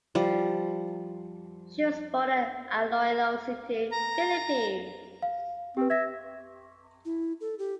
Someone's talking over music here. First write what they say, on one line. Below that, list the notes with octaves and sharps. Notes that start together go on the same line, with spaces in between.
She was born in Iloilo City, Philippines.
F3 G3
A#5
F5
C4 G4 B4
E5 G#6 A#6
E4
A4
G4